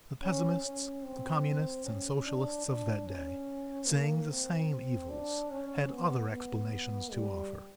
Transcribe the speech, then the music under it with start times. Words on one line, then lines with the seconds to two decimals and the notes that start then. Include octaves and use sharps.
The pessimists--the communists, and socialists of that day--seeing the same evils, had other explanations to offer.
0.23 C#4
0.63 C#4
1.04 C4
1.85 C#4
2.26 D4
2.66 D4
3.07 C#4
3.88 A#3
4.29 C4
5.10 D4
5.50 C#4
5.91 B3
6.31 B3
7.12 G3